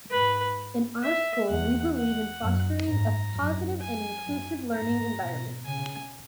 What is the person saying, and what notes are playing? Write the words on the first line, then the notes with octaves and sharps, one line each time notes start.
In our school, we believe in fostering a positive and inclusive learning environment.
G#2 B4
E5
E2 F#5
F#5
F#2
G#2 A#5
F#2
G#5
F#2
G#2 A#5
B2
C#3 G#5